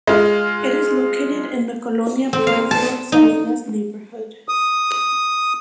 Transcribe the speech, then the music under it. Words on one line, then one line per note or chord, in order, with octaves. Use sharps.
It is located in the "Colonia Pueblo Salinas" neighborhood.
G#3 F4
C4
F5
A5
D#4
D#6